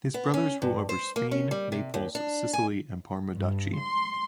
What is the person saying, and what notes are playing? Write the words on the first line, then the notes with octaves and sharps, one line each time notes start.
His brothers rule over Spain, Naples, Sicily and Parma Duchy.
B3
C#4
G2
C5
A#3
C#4
G3
C3
D#2
D4
G#5
G2
C6